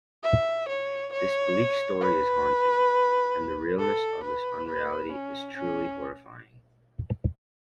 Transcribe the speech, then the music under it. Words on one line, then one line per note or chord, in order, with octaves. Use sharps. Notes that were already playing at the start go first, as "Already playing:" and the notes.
This bleak story is haunting, and the 'realness' of this unreality is truly horrifying.
E5
C#5
C#5
B4
A4
B4
B4
C#4
C#4